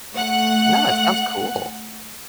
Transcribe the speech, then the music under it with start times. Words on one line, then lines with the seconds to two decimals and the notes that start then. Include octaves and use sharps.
Nice, sounds cool.
0.15 A3 F#5 F#6